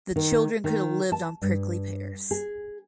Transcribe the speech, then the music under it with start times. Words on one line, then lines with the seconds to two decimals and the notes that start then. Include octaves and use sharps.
The children could have lived on prickly pears!
0.16 D#3
0.64 D#3
1.12 A5
1.42 G2
2.31 G#4